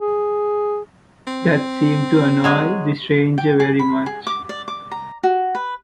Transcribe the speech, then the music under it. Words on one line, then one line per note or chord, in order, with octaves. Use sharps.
That seemed to annoy the stranger very much.
G#4
C4
F#3 G#3 G#4
G5
G#4
B5
G#4
D6
D5
D6
A#5
F#4
B4